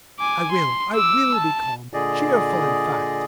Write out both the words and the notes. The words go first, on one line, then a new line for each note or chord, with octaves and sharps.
I will, I will be calm, cheerful, in fact.
G#5 D6
C6
D6 E6
A5
A#2 D3 G#4 D5 D#5